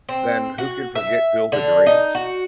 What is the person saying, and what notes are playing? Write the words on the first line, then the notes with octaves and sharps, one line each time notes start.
then who can forget Field of Dreams?
C4
F#4
E5
D3
D#4
F#4